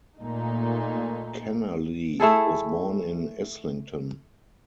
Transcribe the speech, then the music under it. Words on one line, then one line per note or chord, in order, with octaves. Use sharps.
Kennerley was born in Islington.
A#2 A3 D#4
A3 E4 G#4 A4